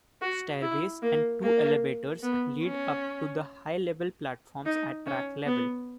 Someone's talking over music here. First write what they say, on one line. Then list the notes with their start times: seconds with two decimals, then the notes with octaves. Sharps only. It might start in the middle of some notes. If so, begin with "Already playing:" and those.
Stairways and two elevators lead up to the high-level platforms at track level.
0.22 F#4
0.62 E4
1.02 A#3
1.42 A#3
2.23 B3
2.64 C#4
4.66 D#4
5.06 C#4
5.46 B3